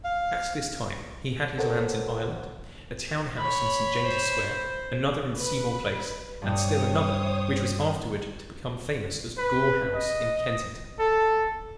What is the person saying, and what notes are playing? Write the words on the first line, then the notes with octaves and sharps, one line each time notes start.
At this time he had his lands in Ireland, a town house in St. James's Square, another in Seymour Place, and still another which was afterward to become famous as Gore House, in Kensington.
F5
A4 A#4 C5 C#5 F#5
C#5 B5
C5
B4
G2 G3 C5 C#5 D#6
B4
D#5
A4